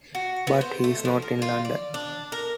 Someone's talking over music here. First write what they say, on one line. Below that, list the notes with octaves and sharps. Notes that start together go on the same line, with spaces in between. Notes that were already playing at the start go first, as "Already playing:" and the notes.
But he's not in London?
F#4
B3
C5
A3
F3
A#4
F4
D5
D4
A#4